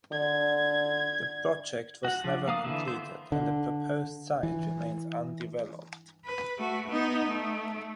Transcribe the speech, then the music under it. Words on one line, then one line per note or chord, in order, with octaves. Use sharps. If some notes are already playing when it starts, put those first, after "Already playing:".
The project was never completed and the proposed site remains undeveloped.
D3 G#6
F#4 F#5
F3 D4
A#3 F5 D#6
D3 E3 E5
B3 C5
D3
E3
B4
A3 F#4
B3 D#4
A3